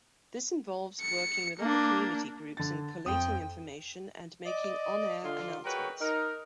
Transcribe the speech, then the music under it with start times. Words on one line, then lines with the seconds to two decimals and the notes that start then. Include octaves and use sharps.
This involves working with other community groups in collating information and making on-air announcements.
1.02 C#7
1.60 A#3 D4
2.57 D3 A6
3.06 F2 G5 D#6
4.45 D5 D#5
5.24 D3 F4
5.65 G#3 F#4 A#4 B4 C#5 G5
6.01 D#4 A#4